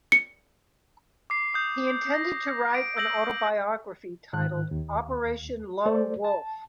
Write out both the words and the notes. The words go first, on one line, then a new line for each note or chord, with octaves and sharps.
He intended to write an autobiography titled: Operation Lone Wolf.
C#7
D6 C7
D#6 G6
A#6
D7
E6 G6 A#6 F#7
G#2 D#3 F#6
D#2
A3 A4 C5 D5
A5